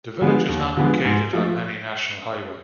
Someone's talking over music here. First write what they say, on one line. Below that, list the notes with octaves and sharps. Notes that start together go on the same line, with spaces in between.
The village is not located on any national highway.
D3 F3 G#3 B3
D#2
D3 F3 G#3 B3
G#2
F3 A3